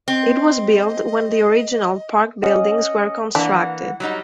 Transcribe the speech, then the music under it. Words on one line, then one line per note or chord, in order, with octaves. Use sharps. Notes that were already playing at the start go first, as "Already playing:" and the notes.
It was built when the original park buildings were constructed.
C4 D#5
C#4 D#5 F#5
E3 A#3 D4 F#5
F#3 G3 D#4